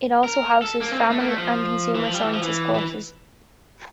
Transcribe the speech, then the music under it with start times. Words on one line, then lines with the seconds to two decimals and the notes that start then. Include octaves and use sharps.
It also houses family and consumer sciences courses.
0.24 A#4
0.62 A4
0.81 A#3
0.91 C4
1.00 A#3
1.10 A3
1.19 A#3
1.28 A3
1.38 F3
1.95 E3
2.04 F3
2.14 G3
2.24 E3
2.33 F3
2.42 E3
2.75 E3